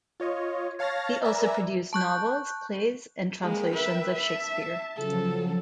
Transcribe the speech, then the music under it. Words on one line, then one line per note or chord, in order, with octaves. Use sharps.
He also produced novels, plays, and translations of Shakespeare.
F4 C#5 D#5
C#5 F5 A5 F6 A6 A#6
A#4 B4 D5 E5 G#5 A#5
A5 C#6 F#6 G6
G#3 A#3 A#4 G5 B5
B4 E5
E5 A5
C#3 F3 F#3 A4